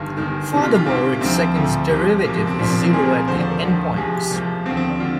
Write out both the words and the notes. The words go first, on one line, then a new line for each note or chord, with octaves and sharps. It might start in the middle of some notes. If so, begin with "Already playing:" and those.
Furthermore, its second derivative is zero at the end points.
Already playing: G1 G2 D#3
G1 G2 D#3
C2 C3 D#3
F4
F4
C2 C3 D#3 C4
A#3
D2 D3 F3 C4
D2 D3 F3
C2 C3 F3
C2 C3 F3 A#3
A#3
C4
C2 A#2 F3 D4
A#3
C4
C4
C2 A#2 F3 G#4
A#4
A#4
D#2 D3 F3 C5
D5
A#4
D#2 D3 F3
C2 C3 F3 G#4
G4
C2 C3 F3 A#3
D#2 D3 F3 C4
C4
D4
D3 F4